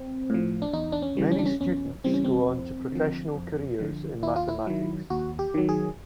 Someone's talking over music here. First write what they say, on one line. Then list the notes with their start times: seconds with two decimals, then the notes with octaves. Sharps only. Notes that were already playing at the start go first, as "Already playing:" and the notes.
Many students go on to professional careers in mathematics.
Already playing: C4
0.30 A2 F3
0.62 D4
0.73 E2 D#4
0.92 D4
1.02 C#4
1.17 C#3 E3 G3
1.31 C#4
1.39 D4
1.46 C#4
1.61 E2 C#4
2.04 C#3 E3 G3 C4
2.14 C#4
2.24 C4
2.48 F2
2.92 D3 F3
3.35 F2
3.79 D3 F3
4.23 D#2 E4
4.36 F4
4.48 E4
4.67 D#3 F#3
5.10 D#2 F#4
5.39 G4
5.54 D#3 F#3
5.69 G#4